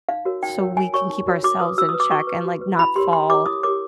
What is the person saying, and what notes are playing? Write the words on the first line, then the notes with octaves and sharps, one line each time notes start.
so we can keep ourselves in check and, like, not fall,
D#4 F5
F#4 A#4 C#5
D#4 G5
F#4 A#4 C#5
D#4 G#5
F#4 A#4 C#5 C#6
D#4
F#4 A#4 C#5
F#4 D6
B4 D#6
F#4 E6
D#6
B4
D6
F#4 C#6
B4
F#4
B4
E4 B5
G4 A#4 C#5 C6
E4 C6
G4 A#4 C#5 D6
E4 D#6
G4 A#4 C#5 D6